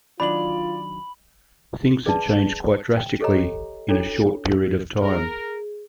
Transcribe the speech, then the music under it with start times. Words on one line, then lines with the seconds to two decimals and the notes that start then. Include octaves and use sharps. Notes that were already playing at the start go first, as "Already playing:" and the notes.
Things had changed quite drastically in a short period of time.
0.20 D#3 F#3 D4 F4 D5 B5 F#7
2.05 C#4 G#4 B4 D5 E5 A5
2.97 G5
3.20 G4 A4 C#5 D#5 A#5
3.89 C#4 D4 E4 F#4 A4 C#5
5.01 G#4 A#4